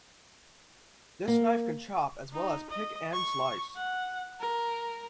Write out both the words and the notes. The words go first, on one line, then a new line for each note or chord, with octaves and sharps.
This knife can chop as well as pick and slice.
A#3
D#4
D#5
C#6
F#5
A#4